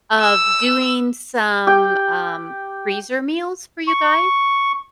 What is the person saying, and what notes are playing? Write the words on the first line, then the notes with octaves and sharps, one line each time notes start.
of doing some, um, freezer meals for you guys?
E6
G4 G5
C#6